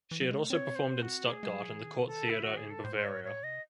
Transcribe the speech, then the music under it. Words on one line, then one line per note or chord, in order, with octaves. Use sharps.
She had also performed in Stuttgart and the court theatre in Bavaria.
E3
F#3
G#3
A3
C4 C#5
C5
F#4
A3 G#4
G#3
F#3
E3
D#3
C#3
D#3 A4
C#3 E4
D#3 F#4
G#4
C#3
A4
A2 C5
C5
G#2 C#5
A2 C#5
C3 D#5